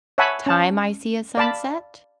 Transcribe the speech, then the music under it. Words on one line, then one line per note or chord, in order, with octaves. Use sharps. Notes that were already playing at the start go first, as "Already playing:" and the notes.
time I see a sunset.
C#5 E5 F#5 G#5 A5 B5
C#4 A5
D5 F5 A5 B5